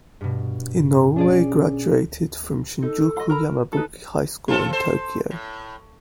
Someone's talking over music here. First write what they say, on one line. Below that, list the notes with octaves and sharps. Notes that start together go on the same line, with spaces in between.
Inoue graduated from Shinjuku Yamabuki High School in Tokyo.
G2 B2
C#4 D4 G#4 D5
D#4 A4
D#5 F5
A#4 A#5 B5
D#4 A4 B4
C4 F4 A4
A4 C5
A2